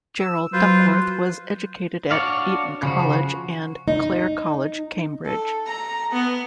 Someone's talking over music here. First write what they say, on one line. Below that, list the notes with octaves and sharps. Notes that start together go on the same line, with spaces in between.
Gerald Duckworth was educated at Eton College and Clare College, Cambridge.
E6
F#3 F4 B4 C5
D4 F#4 C#5 D5 F5
C#3 F3 F#4
D#4
A4
A#5
B3